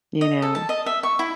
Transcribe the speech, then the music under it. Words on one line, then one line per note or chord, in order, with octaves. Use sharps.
You know?
D#5
A4
A5
D#5
E5
C#6
E4